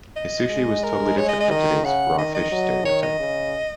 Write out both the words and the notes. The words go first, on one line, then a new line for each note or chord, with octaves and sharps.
His sushi was totally different from today's "raw fish" stereotype.
D#5
G#3
A#4
C#5
D#5
D#5
D#3 D#5
C#3 F#5
D#3 D#5
D#5
F#3
D#3 C#5
D#5
C#3